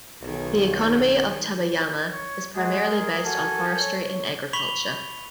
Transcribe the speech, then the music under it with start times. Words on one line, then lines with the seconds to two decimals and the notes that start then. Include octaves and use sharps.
The economy of Tabayama is primarily based on forestry and agriculture.
0.22 B1 D#3 G#4
2.12 C#5
2.55 G#3 F#4 G#4
2.89 A#4
3.25 F#4 A4 G#5
3.80 C#5
4.53 B5 C#6 B6 F7 G7